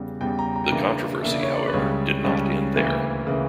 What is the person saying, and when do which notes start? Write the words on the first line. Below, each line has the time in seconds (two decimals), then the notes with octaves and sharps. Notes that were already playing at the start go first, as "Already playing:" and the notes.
The controversy, however, did not end there.
Already playing: E2 C#3 G3
0.21 E2 C#3 G3 G5
0.39 A#5
0.56 A#5
0.64 G5
0.72 C#3 E3 A#3 D4 A#5
1.22 C#3 E3 A#3 D4 E5
1.32 D5
1.43 C#5
1.54 D5
1.67 B4
1.73 C#2 C#3 G3 C#4 C#5
2.24 C#2 C#3 G3 C#4
2.74 D2 C#3 E3 A#3
3.27 C#3 E3 A#3